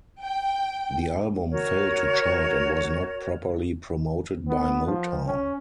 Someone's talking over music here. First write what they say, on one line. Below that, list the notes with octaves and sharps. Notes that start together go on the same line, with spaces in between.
The album failed to chart and was not properly promoted by Motown.
G5
F#4 A#4 C#5
B3
F3
C#4